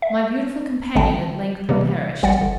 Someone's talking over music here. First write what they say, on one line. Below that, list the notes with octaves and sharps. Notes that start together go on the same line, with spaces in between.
My beautiful companion at length perished.
E5
A1 D3 G#3 C4 G5 A5
C3 E3 G3 A#3
A1 G3 F#5 G5 A6 C#7
G1